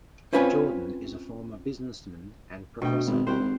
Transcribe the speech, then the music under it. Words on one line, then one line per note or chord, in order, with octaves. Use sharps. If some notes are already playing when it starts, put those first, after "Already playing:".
Jordan is a former businessman and professor.
C4 C#4 F4 B4 C#5 G#5
D2 B2 G5
G#1
C2 C5 F#5 G5
G#1